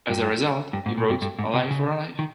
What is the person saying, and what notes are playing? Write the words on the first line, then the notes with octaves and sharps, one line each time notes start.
As a result, he wrote A Life for a Life?
G2
G2
G#2
A#2
G2
G2
G#2
C3
C#3
D#3